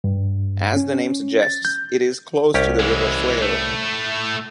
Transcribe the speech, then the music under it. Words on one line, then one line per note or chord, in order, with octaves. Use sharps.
As the name suggests it is close to the River Swale.
G2
C#4
A6
G6
C2 C#4 G4
E3 G#3
A2 A3